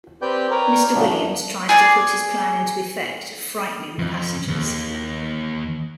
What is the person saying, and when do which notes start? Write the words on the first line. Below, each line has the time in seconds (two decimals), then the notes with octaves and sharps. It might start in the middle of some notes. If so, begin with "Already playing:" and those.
Mr. Williams tries to put his plan into effect, frightening the passengers.
0.22 C4 G4 B4 D5 G5 G6
0.51 A#4 B4 C#5 D5 G5 A#5
0.95 A#2 C#3 F#3 A3 B3 D4
1.08 F#2 D4
1.69 G#4 D5
3.99 F2
4.48 D#2